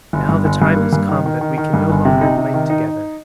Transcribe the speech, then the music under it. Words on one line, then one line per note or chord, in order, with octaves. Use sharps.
Now the time has come that we can no longer play together.
G1
G2
G1
G2
A#3
G2
D#3
D#3
D#3
D#3
G2
G1
C3
D#4
C3
D#3
D#4
D#4